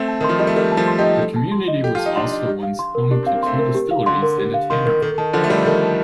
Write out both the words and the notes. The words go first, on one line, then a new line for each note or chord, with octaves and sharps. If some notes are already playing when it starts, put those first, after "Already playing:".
The community was also once home to two distilleries and a tannery.
Already playing: A3 C4
A5
D#3 C6
F3
G3 D#5
A3
G3 A#3 A4
A5
F3 A3
C6
D#4 G4
D#5
A4
A5
C6
D#5
G4 A4
F4 A5
D#4
D4 F4 C6
D#5
G4
F5
C6
A#4
D4 G4
C4 F5
A#3
A3 C4 C6
A#4
G4
F5
D3 C6
A#4
G4
F5
D#3 C6
A#4
D#3 A4
D#3 A5
D3 F3 A4
A3
D#3 G3 D5
D#3 A4
A5